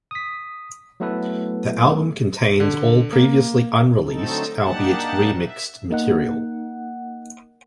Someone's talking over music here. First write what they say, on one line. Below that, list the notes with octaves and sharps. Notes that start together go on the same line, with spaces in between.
The album contains all previously unreleased, albeit remixed material.
D#6 B6
F#3 A3 B3 E4 A4 B4
D3
A#3
D3 F#3 A3 C4 D#4 A4
A#3 D4 D#4 G4 F#5 A5
E5
A#3 D#4 F#5